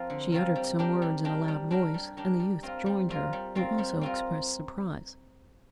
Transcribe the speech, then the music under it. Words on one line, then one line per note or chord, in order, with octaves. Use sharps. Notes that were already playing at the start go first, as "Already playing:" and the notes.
She uttered some words in a loud voice, and the youth joined her, who also expressed surprise.
Already playing: F3 C4 F4 A#4
D3
F3 C4 F4 A#4
G3
D4 G4 A#4
G3
D4 G4 A#4
G3
D4 G4 A#4
G3
D4 G4 A#4
G3
C4 F4 A#4
G3
C4 F4 A#4
G3
C4 F4 A#4
G3
C4 F4 A#4